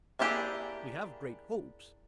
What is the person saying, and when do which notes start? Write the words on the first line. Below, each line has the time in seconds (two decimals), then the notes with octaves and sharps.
"We have great hopes."
0.19 A#3 D4 E4 G4 G#4